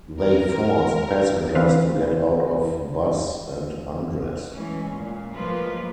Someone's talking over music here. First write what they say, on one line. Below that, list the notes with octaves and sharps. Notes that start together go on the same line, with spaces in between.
They forced passengers to get out of bus and undress.
A#4
E3 C4 B4 F5
E3 G#3 C#4
A#2
F3 G#3 A#3 F4 B4